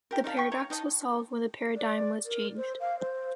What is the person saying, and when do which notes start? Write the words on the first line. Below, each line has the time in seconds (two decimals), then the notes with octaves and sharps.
The paradox was solved when the paradigm was changed.
0.11 G4 A#4
0.24 D#4 A#4 F5 A5
0.37 G5 C#6
0.51 C#5 A#5
0.70 D#4 D#5 A5
1.76 D5
2.25 A#4
2.57 C5
2.80 F5
2.99 C5